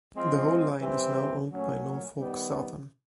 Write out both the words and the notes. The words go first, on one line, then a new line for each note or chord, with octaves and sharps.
The whole line is now owned by Norfolk Southern.
F3 G#3 C4 F4
C3 E3 G3 C4
A#2 F#3 A3 C#4
D#3 G3 B3